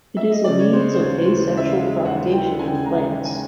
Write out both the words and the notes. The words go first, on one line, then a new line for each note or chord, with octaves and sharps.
It is a means of asexual propagation in plants.
E5
D#5
C#3 D5
C#5
G#3 C5
C5
D#2 C#5
E3 C5
C#3
E5
F5
G#3
D#2 F#5
E3 G5
C#3 G#5
G5
G#5
G#3 A#5
D#2
G#5